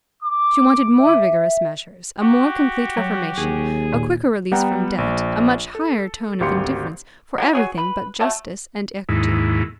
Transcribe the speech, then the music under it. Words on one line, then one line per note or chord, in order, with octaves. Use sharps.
She wanted more vigorous measures, a more complete reformation, a quicker release from debt, a much higher tone of indifference for everything but justice and equity.
D6
E5
F#4 G4
F#3
D#2 G#4
A#2
G3 B3 F#5 G5 A#5
A#1
A4
G#1 D2 G4 F5 C6 C#7
F#3 A3 A#3 F4
F#3 G#4 C#5
B4
F#3 A3 A5
D#2 G#2 E4